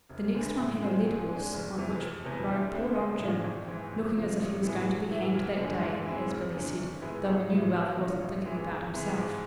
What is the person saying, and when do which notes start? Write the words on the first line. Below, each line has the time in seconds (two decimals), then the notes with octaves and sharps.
The next one had a led horse, on which rode poor old Jim, looking as if he was going to be hanged that day, as Billy said, though I knew well he wasn't thinking about himself.
0.09 E1
0.34 D2 D3 G#3 B3
0.58 A2
0.82 F3 G#3 C4
1.06 G#2
1.29 G#3 D4
1.53 F1
1.77 F2 E3
2.01 F1
2.24 E2 B2 B3
2.49 D2
2.71 D3 A3 C4
2.95 B1
3.19 A2 F3 G#3 D4
3.43 G#1
3.67 G#2 E3
3.92 F2
4.15 C3 F3
4.39 A1
4.63 A2 E3 G#3 B3
4.86 B1
5.10 A2 E3 A3
5.35 F1
5.58 F2 D3 G#3
5.82 G#2
6.06 G#3 C4 E4
6.30 F1
6.54 E2 D3
6.78 G#1
7.01 G#2 G#3 B3 E4
7.25 A1
7.49 A2 F3
7.73 B1
7.96 B2 A3 D4 F4
8.20 A1
8.44 G#2 E3 G#3
8.68 E2
8.91 C3 E3 G#3
9.16 G#2